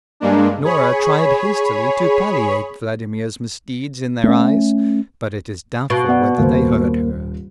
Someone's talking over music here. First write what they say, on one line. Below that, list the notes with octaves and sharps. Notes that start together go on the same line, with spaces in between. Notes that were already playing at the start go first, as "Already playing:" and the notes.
Norah tried hastily to palliate Vladimir's misdeed in their eyes, but it is doubtful whether they heard her.
G2 G#3 A#3 D4
G#4 C#5 B5
A3 C#4
B2
B3 D5 F#5
D#1 A#3 C5